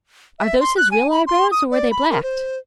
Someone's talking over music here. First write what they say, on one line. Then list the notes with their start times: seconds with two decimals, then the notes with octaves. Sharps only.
"Are those his real eyebrows or were they blacked?"
0.39 E5
0.60 C6
0.77 F#6
0.91 G#5
1.10 B5
1.27 C6
1.51 D#6
1.71 D5
1.91 B5
2.10 A#4
2.23 C5